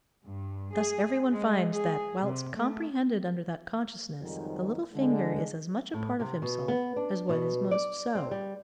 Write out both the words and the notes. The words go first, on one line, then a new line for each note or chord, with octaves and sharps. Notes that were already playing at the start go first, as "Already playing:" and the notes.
Thus every one finds that, whilst comprehended under that consciousness, the little finger is as much a part of himself as what is most so.
G2
G#4
G#3
G#4
C3
A3
F2 G#2 D#3 F#3 G3
D3 G#3
A2
C3
B2
B3
D4
B2
D5
C4
G3